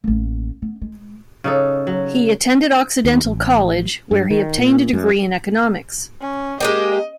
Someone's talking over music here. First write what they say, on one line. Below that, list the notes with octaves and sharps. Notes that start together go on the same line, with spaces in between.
He attended Occidental College, where he obtained a degree in Economics.
A1 A#3
B3
G#3
C#3 D#4 A4
F#3
D#2
A1
G2
D#3
A#2
F#2
C#4
G#3 A#3 G4 D#5